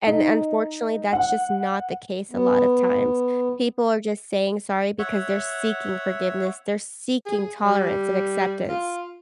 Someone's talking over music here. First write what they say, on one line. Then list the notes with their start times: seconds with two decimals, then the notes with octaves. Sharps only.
and unfortunately, that's just not the case a lot of times. People are just saying sorry because they're seeking forgiveness. They're seeking tolerance and acceptance.
0.06 D#4
1.13 F#5
2.31 B3
4.99 C#5 E5 F#5
7.26 G#4
7.65 G3
8.69 F4